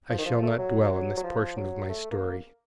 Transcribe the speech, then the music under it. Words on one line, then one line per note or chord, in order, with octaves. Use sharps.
I shall not dwell on this portion of my story.
F3
D#3
F3
A3
F#3
F#3
F#3
F3
F#3
A3
A#3